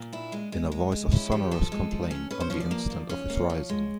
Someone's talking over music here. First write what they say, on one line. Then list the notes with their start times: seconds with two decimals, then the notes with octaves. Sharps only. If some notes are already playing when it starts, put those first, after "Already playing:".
In a voice of sonorous complaint on the instant of his rising.
Already playing: A#2
0.13 D4 E4
0.32 G#3
0.52 G#3
0.72 G#3
0.92 G#3
1.11 C#4 E4
1.32 F3 G4
1.51 F3 A4
1.72 G#3
1.91 F3
2.11 C#4
2.31 C#4 B4
2.40 C5
2.50 F3 C#5
2.60 D5
2.71 A#3
2.90 F3
3.09 C#4 C#5
3.30 A#3
3.50 F3
3.69 G#3